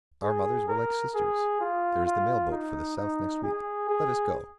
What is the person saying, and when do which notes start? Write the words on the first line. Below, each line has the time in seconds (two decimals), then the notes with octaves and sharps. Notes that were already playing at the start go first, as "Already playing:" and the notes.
Our mothers were like sisters. There is the mail-boat for the south next week--let us go.
0.23 G#4
0.68 A#4
1.14 G#4
1.61 F4
2.06 F4
2.52 D#4
2.97 D#4
3.43 G#4
3.89 G#4